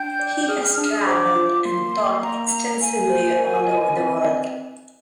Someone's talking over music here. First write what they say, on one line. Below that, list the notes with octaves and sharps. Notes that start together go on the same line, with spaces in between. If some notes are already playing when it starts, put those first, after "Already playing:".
He has traveled and taught extensively all over the world.
Already playing: D4 G5 G6
D5
G#4 F6
D4
F6
D#6
C5 D6
F4
A#3 C6
A#3
A#3 A#5
A#3
A#5
A#3 G#5
C5
A#4
D#5
C4